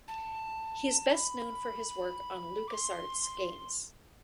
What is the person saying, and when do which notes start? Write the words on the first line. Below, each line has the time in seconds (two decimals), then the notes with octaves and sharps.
He is best known for his work on LucasArts games.
0.08 A5
1.13 B5
2.68 D6
2.73 C6